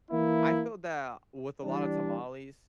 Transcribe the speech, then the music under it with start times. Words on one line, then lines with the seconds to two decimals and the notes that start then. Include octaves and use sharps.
I feel that, with a lot of tamales,
0.11 E3 A#3 E4
1.64 E3 G3 D4